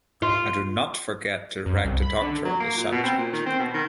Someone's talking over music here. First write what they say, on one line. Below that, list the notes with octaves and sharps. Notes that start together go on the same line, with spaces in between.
I do not forget to rag the doctor on this subject.
F4
F#2
C2
B5
D3
F#3
A#3
A#2
B2
C4
A#2
D#3
C4
B2
D#3